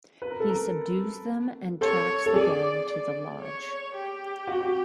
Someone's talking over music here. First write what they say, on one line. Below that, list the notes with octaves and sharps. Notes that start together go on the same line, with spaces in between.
He subdues them and tracks the gang to the lodge.
B4
A#4
A4
A#4
A4 C#5
A4
G#4 D5
D5
C#5
G4
F#4
F#4